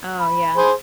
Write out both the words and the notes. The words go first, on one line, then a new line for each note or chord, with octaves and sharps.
Oh yeah.
B5
G#4 C5